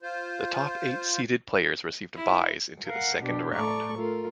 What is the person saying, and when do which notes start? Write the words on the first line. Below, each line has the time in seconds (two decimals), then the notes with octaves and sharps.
The top eight seeded players received byes into the second round.
0.02 F4 C5
2.16 E4
2.85 A#4 F5 F#5
3.23 B2 D4 G4
3.53 A2 A3 A4 D5 A#5 C#6
3.97 A3 F4 A4 A#4